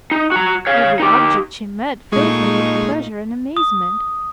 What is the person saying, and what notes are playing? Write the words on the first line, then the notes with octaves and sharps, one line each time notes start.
Every object she met filled her with pleasure and amazement.
D#4
F#4 A#5
C#5 F5
D#4 G4
A#2 G#3 A3 D#4 G#4 C#6
D#6